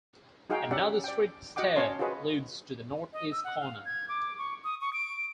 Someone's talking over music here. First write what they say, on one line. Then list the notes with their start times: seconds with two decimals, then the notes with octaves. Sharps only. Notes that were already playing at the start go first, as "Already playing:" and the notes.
Another street stair leads to the northeast corner.
0.50 D#4 F#4 G#4 F5 G5
0.71 C#4 G4 D5 E5 F#5
1.04 D5 G5
1.56 F#4 D#5 F#5 G5 D6
1.76 C#4 C#5 A5 C6
1.99 F4 F#4 G#4 B4 D#5
3.13 D#5
3.32 E6
3.44 F#5
3.60 F5
3.85 G#6
4.09 D6
4.38 C#6
4.64 D#6
4.81 C#6
4.93 D7